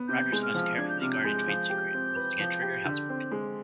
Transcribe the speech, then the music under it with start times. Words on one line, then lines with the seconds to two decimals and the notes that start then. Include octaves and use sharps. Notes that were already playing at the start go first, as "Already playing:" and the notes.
Roger's most carefully guarded trade secret was to get Trigger housebroken.
Already playing: B3
0.08 C3 G6
0.32 G#3
0.43 F6
0.54 F3
0.77 D4 G#6
0.89 G6
1.01 C3 F6
1.12 G6
1.24 G#3
1.47 F3
1.70 G4
1.94 C4
2.16 B4
2.39 F3
2.62 G4
2.85 D3
3.09 C4
3.31 G#3